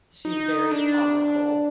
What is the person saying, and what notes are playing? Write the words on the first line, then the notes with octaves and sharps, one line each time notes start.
She's very comical,
D#4
D4